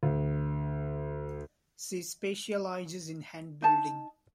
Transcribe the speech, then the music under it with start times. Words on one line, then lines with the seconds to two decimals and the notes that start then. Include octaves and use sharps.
She specializes in hand building.
0.03 D2
3.62 D#4 A5